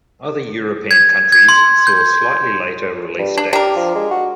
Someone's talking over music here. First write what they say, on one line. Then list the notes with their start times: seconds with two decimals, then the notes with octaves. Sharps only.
Other European countries saw slightly later release dates.
0.91 G#6
1.32 G#6
1.49 C6
1.87 G6
3.19 G2
3.37 D4
3.53 D4 G4 A#4
3.76 F3
3.95 G#3
4.11 F#4